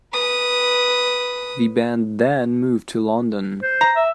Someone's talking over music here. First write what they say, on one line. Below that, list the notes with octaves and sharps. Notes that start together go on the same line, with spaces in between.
The band then moved to London.
B4 D#6
C5
A#5
E5